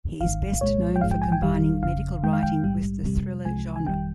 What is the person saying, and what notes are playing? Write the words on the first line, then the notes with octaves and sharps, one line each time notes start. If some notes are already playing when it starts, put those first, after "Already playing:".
He is best known for combining medical writing with the thriller genre.
G#1 G#2 D#3 F5
C2 A#2 G#3 C#5
G5
A#1 G#2 F3 G#3 F5
G5
G#5
G5
G1 F2 D#3 G3 F5
G1 F2 C#3 F5
F2 D#3 G#3 G5
F5
G5
A#1 G#2 G3
F2 C3 G3
C2 C3 F3 G#3 G#5
G#5
G1 F2 D#3 G3 G5